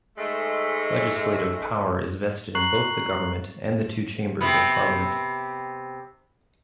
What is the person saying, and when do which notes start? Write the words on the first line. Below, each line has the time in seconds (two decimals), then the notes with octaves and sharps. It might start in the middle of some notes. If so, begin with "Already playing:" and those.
Legislative power is vested in both the government and the two chambers of parliament.
0.18 G#2 G#3 A3
2.55 A#5 C#6 F#6 C7 F#7
4.41 C3 B3